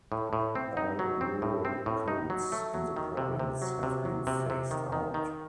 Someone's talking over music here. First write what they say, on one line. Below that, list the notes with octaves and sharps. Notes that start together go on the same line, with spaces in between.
All rural codes in the province have been phased out.
A2
A2
C4
D#4
F#3
C4
A2
C4
A2
D#4
F#3
A3
F#3
D#3
C3
C3
F#3
C3
F#3
C3
C3
D#3
D#3
D#3